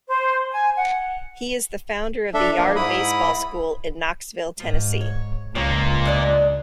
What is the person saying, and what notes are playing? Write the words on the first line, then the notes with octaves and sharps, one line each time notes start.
He is the founder of the Yard Baseball School in Knoxville, Tennessee.
C5
G#5
F#5
D4 A4 E5
F3 A#3 D4
G#2 E4 B5 D#6
G#2 F3
C#5
C#2 A#2 F3 A#3 C#5 G5
G#3 D4 D5